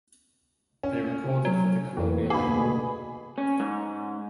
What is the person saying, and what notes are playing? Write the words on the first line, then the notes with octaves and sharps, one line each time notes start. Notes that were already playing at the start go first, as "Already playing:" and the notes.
They recorded for the Columbia label.
C#4
F#3
F2 E3 A#3 B4
D2 G2 B2 A#3 G#4 B5
C#4
G#2